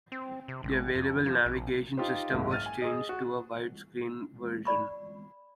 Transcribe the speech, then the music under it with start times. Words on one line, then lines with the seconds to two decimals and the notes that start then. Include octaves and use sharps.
The available navigation system was changed to a wide screen version.
0.12 C4
0.48 C3
0.63 A1
0.95 F2
1.26 F3
1.45 A#1
1.97 D#4 F4 G4 C5
2.30 F#1 G#2 D#3 E5
2.51 F6 A6 D#7
2.66 G#5
2.82 G#4 D#5
3.09 F#4
4.65 D5 B5 C#6